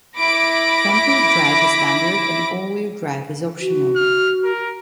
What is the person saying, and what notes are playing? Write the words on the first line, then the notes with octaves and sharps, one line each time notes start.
Front-wheel drive is standard and all-wheel drive is optional.
E4 B5 D6 A#6 D7
F#4
F6
A#4